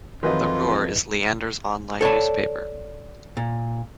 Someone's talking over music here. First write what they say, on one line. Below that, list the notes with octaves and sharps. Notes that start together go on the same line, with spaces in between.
"The Roar" is Leander's online newspaper.
F2 D#3 E3 F#3 F4 B4 D#5
A4 C#5 D5 A5
A#2